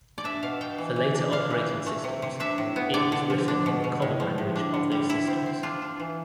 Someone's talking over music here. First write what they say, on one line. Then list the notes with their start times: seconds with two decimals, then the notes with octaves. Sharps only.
For later operating systems it was written in the common language of those systems.
0.18 D5
0.24 D4 E5
0.43 B2 F5
0.61 B2 G5
0.78 E3
0.96 E3
1.14 D4
1.32 D4 F5
1.50 E3
1.68 E3
1.86 A3
2.04 C3
2.22 C3
2.40 D4 E5
2.58 A2
2.76 B3
2.94 D3 D5
3.12 D3
3.30 F3
3.48 D4
3.66 B2
3.84 B2
4.02 A2
4.20 F3
4.38 A2
4.56 D4
4.74 D3
4.92 G3
5.09 D3 E4
5.27 C4
5.46 C4
5.63 D4 F4
5.82 D4
6.00 E3